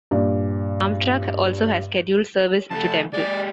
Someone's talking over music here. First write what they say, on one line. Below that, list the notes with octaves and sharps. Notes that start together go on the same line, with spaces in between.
Amtrak also has scheduled service to Temple.
G2 A#2 D5
F2 A3 A5
G#3 G4 D5